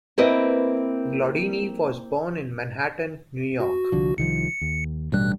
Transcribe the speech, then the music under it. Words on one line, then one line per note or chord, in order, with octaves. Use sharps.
Glaudini was born in Manhattan, New York.
A#3 C4 E4 B4 D#5
F#4
C2 D3 F3
C2 D#3 F3 C#7
D#2
A1 G2 B2 G3 F#6